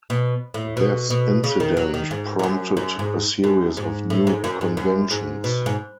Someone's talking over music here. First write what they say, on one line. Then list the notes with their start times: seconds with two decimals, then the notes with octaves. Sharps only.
This incident prompted a series of new conventions.
0.10 B2
0.54 A2
0.77 B2
1.10 B2
1.44 C#3
1.60 D#3
1.77 F#3
1.94 D#3
2.11 G#2
2.39 G#2
2.43 F#2
2.77 F#2
2.99 G#2
3.44 F#2
3.77 G#2
4.10 A2
4.27 G#2
4.44 F#2
4.61 G#2
4.77 F#2
5.11 G#2
5.44 B2
5.66 G#2